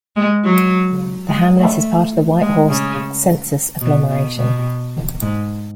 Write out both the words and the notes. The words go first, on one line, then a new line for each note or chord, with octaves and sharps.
The hamlet is part of the Whitehorse Census Agglomeration.
G#3
F#3
G#3
A3
G#3
C#3
B2
B2
B2
G#2